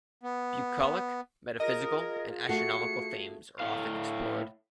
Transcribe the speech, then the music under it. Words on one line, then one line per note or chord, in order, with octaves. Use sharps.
Bucolic, metaphysical and astronomical themes are often explored.
B3
F4 G#4 A#4 D#5 D#6 G#6 A#6
A3 F#4 C7 C#7
A2 F5